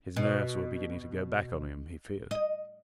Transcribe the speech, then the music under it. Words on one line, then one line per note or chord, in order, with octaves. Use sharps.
His nerves were beginning to go back on him he feared.
B2
D#5